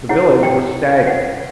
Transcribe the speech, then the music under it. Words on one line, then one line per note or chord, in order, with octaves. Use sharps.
The village was staggered.
E4 G#4 C#5 F#5
G5
F#5